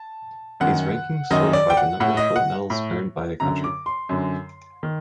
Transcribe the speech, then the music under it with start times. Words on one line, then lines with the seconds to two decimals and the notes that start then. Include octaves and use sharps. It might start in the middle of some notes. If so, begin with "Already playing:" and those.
These rankings sort by the number of gold medals earned by a country.
Already playing: A5
0.60 F#2 D#3 F#5
1.31 F#2 D#3 D#5
1.53 D5
1.70 G5
1.77 F#5
2.00 A2 F#5
2.17 D#5
2.36 F#5
2.70 A2
3.40 F#2 D3 A#5
3.64 D6
3.86 C6
4.09 F#2 D3
4.83 D#3